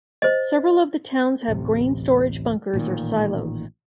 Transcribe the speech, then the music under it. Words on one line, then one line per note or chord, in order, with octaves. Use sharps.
Several of the towns have grain storage bunkers or silos.
C5 D#5
D1 A1 C3
A1 A#2 D#3